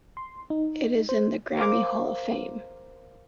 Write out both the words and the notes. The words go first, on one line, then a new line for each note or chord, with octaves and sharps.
It is in the Grammy Hall of Fame.
C6
D#4
C5
A#4 C5 F5 D6